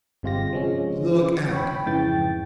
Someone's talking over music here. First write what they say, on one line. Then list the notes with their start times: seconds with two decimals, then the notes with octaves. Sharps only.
Look out!
0.23 G1 C3 G#3 F4 G4 A#6
0.53 F3 G#3 C#4
1.53 C#5 G5 B5
1.86 F2 G#2 C#3 E3 G5 A6